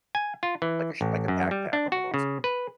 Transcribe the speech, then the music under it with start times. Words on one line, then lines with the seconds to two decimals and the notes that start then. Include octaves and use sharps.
like a like a backpack almost.
0.15 G#5
0.43 F4
0.62 E3
1.01 A1
1.28 F#2
1.51 G3
1.73 D4
1.92 F#4
2.14 C#3
2.44 B4